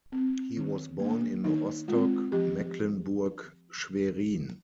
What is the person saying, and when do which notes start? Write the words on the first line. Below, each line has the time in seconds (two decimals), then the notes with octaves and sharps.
He was born in Rostock, Mecklenburg-Schwerin.
0.12 C4
0.56 D#3
0.99 A#3 D4
1.44 D#3 D#4
1.88 G#3 C4 F4
2.32 F3 G4